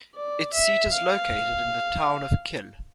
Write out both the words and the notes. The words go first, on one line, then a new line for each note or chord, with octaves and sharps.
Its seat is located in the town of Kil.
D5
E5
F5